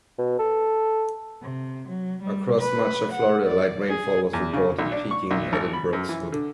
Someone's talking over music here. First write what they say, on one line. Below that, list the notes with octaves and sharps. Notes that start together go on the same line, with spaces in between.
Across much of Florida, light rainfall was reported, peaking at in Brooksville.
B2
A4
C3
F#3
G3
B4
F#5
D5
G#4
E2
C#3
B1
D4
C#6
B1
G#1
B5
F#2
E3
D3